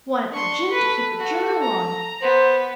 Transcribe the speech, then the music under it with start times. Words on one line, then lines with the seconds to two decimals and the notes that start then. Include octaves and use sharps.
"Want it for Jim to keep a journal on."
0.32 D4 C6 C#6
0.71 A4 B4
1.18 F#4
1.61 A#5
2.22 B3 C5